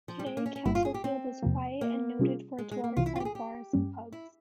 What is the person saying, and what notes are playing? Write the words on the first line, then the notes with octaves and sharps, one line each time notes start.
Today, Castlefield is quiet and noted for its waterside bars and pubs.
F3
G3
G#3
A#3
C#4
C#4
G1 G2 G3 A#3 E4
F4
G#4
G4
C4
E2 C3 F3 A#3
A#3
C3 G3 C#4 F4 G#4
G#3
G#3
A#3
C2 C3 E3 F4
E4
F4
G4
G#4
G4
G2 G3 C#4
E4